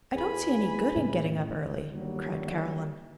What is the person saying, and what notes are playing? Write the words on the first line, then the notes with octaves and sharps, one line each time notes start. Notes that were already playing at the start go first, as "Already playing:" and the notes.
"I don't see any good in getting up early," cried Caroline.
E2 G#5 B5
A2 C#3 E3
G1 D#2 F#3 G3